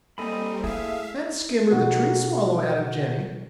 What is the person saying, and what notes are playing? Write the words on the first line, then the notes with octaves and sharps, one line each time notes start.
"And Skimmer the Tree Swallow," added Jenny.
G3 A#3 C4 D#4 A4 D#5 G#5 B5
A3 E4 G#4 E5 F5
B2 D#4 F#4 G#4 A4